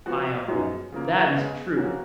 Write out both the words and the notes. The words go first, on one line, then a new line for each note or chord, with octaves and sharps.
ION: That is true.
F3 B3 F#4
F#2 F3 B3 D#4 G#4
C#3 F3 A#3
C#3 G#3 B3
F3 A#3 C#4 F#4